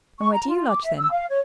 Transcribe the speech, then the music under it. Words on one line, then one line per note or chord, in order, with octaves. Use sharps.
"And where do you lodge, then?"
C#6
A#5
F4
D6
E5
E6
F5
C#5